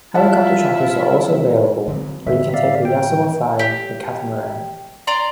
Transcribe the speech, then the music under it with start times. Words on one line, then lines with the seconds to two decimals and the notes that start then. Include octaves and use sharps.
Helicopter charters are also available or you can take the Yasawa Flyer, a catamaran.
0.14 E4 F4 E5 F#5 A5
1.88 D3 F#3 C4
2.27 A2 D3 E5
2.54 D5 E5 F5
2.85 G5
3.59 G4
5.07 D5 A#5 C6